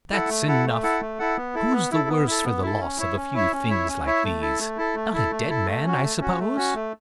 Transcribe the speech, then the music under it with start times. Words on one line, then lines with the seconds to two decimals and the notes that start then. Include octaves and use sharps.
"That's enough. Who's the worse for the loss of a few things like these? Not a dead man, I suppose."
0.12 E4 A4 F#5
0.29 A3
0.47 E4 A4 F#5
0.65 A3
0.83 E4 A4 F#5
1.01 A3
1.19 E4 A4 F#5
1.37 B3
1.55 E4 A4
1.72 B3
1.91 E4 A4
2.08 B3
2.26 E4 A4
2.44 B3
2.62 E4 A4
2.80 C#4
2.98 E4 C#5 E5
3.16 C#4
3.34 E4 C#5 E5
3.52 C#4
3.70 E4 C#5 E5
3.88 C#4
4.06 E4 C#5 E5
4.24 A3
4.41 E4 A4
4.60 A3
4.77 E4 A4
4.95 A3
5.13 E4 A4
5.31 A3
5.49 E4 A4
5.67 A3
5.85 C#4 F#4
6.03 A3
6.20 C#4 F#4
6.39 A3
6.56 C#4 F#4
6.75 A3